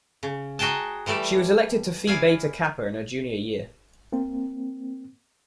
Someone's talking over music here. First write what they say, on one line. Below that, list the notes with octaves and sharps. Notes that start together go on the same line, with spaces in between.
She was elected to Phi Beta Kappa in her junior year.
C#3
D#4 F#4 G#4 G5 A5
E3 G3 A3 D5 E5
E4 D5 F5 G#5
A#3 C4